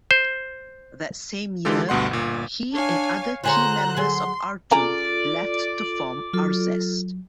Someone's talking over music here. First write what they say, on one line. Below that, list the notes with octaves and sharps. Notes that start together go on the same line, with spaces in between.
That same year, he and other key members of Artoon left to form Arzest.
C5
D3 E3 G#3 F4 G4 A4
D2 G2 B2 F#5 C6
G1 A#2
D4 C#5 F5 G#5
D3 F4 G#4 C5 C#5 A#5 F#6
F#3 G#4 C6
C#3 F4 A4 D5 G#5 A#5 D6
F#3 F4 A4